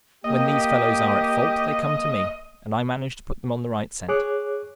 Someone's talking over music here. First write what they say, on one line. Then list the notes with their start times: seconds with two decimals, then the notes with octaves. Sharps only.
When these fellows are at fault they come to me, and I manage to put them on the right scent.
0.24 A#3 G4 D#5
4.09 G#4 C#5 D6 F#6